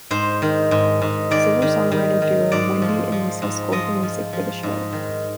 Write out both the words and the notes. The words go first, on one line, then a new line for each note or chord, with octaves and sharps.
Singer-songwriter duo Wendy and Lisa scored the music for the show.
G#2 C5
D#3
G#2
G#2
D#3 D5
D#3
D#3
D#3
G#2 D5
F3
F3
G#2
F3 D#5
F3
F3
G#2
D#3